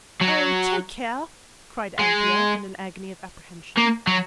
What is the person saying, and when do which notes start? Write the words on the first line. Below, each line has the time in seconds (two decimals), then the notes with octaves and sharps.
'OH, take care!' cried Anthea in an agony of apprehension.
0.21 F#3
1.99 G#3
3.78 A#3
4.07 F#3